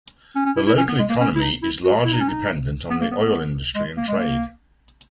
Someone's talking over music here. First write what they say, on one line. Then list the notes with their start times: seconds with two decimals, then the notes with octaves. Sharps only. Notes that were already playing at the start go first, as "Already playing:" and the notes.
The local economy is largely dependent on the oil industry and trade.
0.35 C#4
0.46 C#4
0.56 E4
0.67 E4
0.78 C#4
0.88 B3
0.99 G#3
1.09 A#3
1.20 C#4
1.35 E4
1.42 D#4
1.63 E4
1.84 F#4
2.05 E4
2.13 D#4
2.21 C#4
2.28 D#4
2.90 B3
3.01 A#3
3.12 B3
3.22 B3
3.75 G#3
3.97 A#3
4.08 G#3
4.18 A#3